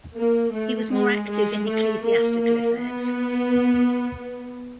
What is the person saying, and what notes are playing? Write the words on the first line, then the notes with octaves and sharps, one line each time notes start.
He was more active in ecclesiastical affairs.
A#3
A3
G#3
G#3
A3
A#3
A#3
B3